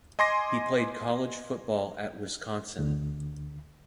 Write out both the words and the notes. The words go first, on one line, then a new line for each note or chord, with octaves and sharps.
He played college football at Wisconsin.
D#5 G#5 C6 D6 A#6
D2 D3